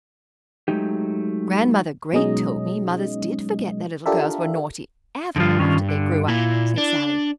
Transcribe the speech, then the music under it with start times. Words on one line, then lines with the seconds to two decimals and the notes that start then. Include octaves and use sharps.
"Grandmother Great told me mothers did forget their little girls were naughty ever, after they grew up," said Sallie.
0.68 F#3 G#3 A3 D#4 G4
2.13 B2 F#3 G#3 C#4 D#4 D#5
4.06 D4 F4 G4 A4 A#4 E5
5.36 E2 G2 D3 F3 F4
5.59 D#3 C#4 F4
5.89 D3
6.28 A#2 E4
6.78 D4